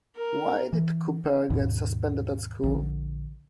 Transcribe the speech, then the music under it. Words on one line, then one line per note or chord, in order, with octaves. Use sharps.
Why did Cooper get suspended at school?
A#4
E3
D#2 G#2 B2 D#3
A#1 D3